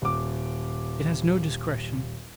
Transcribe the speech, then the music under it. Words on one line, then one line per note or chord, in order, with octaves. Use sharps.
It has no discretion.
D#1 D6